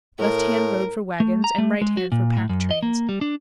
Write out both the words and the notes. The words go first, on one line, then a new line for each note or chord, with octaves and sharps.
Left-hand road for wagons, and right-hand for pack trains.
A2 A#4
A3
A#5
A3
G#3
F#4
A#2
A2
F#2
D#5
A#3
G3
D4